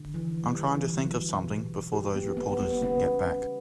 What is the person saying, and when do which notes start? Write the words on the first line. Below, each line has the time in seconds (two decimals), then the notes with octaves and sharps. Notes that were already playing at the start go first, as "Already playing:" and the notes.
I'm trying to think of something before those reporters get back.
Already playing: D3
0.14 E3
0.44 G3
0.74 E3
1.04 F#3
1.33 B2
1.63 B2
1.93 G3 G4
2.15 B3
2.23 G3
2.37 B3
2.52 G3
2.60 B3
2.82 C#3 B3